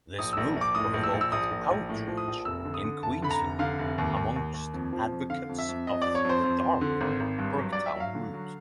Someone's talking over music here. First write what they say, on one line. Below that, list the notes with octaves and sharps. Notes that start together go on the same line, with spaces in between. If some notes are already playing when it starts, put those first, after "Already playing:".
This move provoked outrage in Queensland amongst advocates of the Darwin-Burketown route.
A#1 D#6
A#1 E6
A#1
D6
A2 D#6
A#1
E6
A#1
E6
A#1 D#6
A#1
A#1
A2
F3
D#6
A#1
F1 E6
D3
D#6
D3
F1 A5
D3 B5
A#5
F1
D3 F5
F1
D#2
D#2
D#2
D#2
F2
F3
F2
D3 F5
F2
E5
F2
F2 D#5
F2 D5
C#5
F2 C5
F2
F2
D3
G#1
G#1
G2
F#3
F#3 D5
E5
F#3 F5
D3
F#3